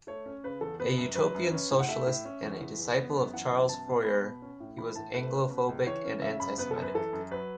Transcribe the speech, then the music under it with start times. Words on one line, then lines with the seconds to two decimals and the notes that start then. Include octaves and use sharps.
A utopian socialist and a disciple of Charles Fourier, he was anglophobic and anti-semitic.
0.07 A3 C#5
0.26 C#4
0.44 C#3 B4
0.61 E2 A4
0.79 B3 B4
0.98 F#2
1.15 F#3 B4
1.35 F#2
1.51 C#4
1.71 A2
1.80 F#5
1.88 A3 E5
2.06 A2
2.25 C#4
2.43 E2
2.61 E3
2.79 E2
2.96 B3
3.15 F#2
3.33 E3 F#5
3.50 F#2
3.69 B2 A5
3.88 B3
4.05 B3 B5
4.24 B2
4.42 C#4
4.60 A2
4.77 E3 B5
4.95 A2 A5
5.14 A3 B4
5.32 C#4
5.50 B2
5.69 C#2
5.87 E3 C#5
6.04 C#4
6.22 C#3 E5
6.40 F#2 B5
6.58 B3 B4
6.71 A4
6.76 F#2
6.83 B4
6.94 E3 A4
7.13 F#2
7.31 F#3 B4